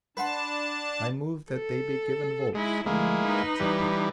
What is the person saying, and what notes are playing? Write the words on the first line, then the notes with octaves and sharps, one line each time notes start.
"I move that they be given votes." Accepted.
D4 B4 F#5 A5 C6
A4
G#3 D#4 E4
D2 F3 G#3 A#3 E4
D#4 B4
E3 G3